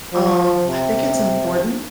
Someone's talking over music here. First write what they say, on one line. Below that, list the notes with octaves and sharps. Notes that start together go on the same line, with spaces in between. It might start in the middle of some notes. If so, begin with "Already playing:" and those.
um, I think it's important
F3
C3